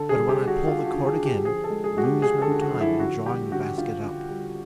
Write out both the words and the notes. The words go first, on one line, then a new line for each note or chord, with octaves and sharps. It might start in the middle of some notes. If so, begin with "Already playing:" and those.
But when I pull the cord again, lose no time in drawing the basket up.'
Already playing: D3 A4
G#4
G3
G4
G3
F#4
G3 F4
F#4
D3
G#4
D3
G4
F3 G#4
A4
G#3
G#4
G#3 F#4
G4
G#3 G#4
A4
D3
F#4
F3
E4
D3 F#4
G3 G4
D3 F#4
D3 F4
D3
G3